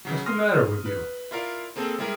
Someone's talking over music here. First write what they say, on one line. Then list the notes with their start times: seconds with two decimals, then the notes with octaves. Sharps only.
'What's the matter with you?'
0.05 C#3 F#3
0.26 C6 D#6 F6 A#6
0.86 B4
1.31 E4 F4 A#4 D5 F5
1.76 A#3 C4 G#4 A4
1.99 G3 G#3 E4 G#4 A#4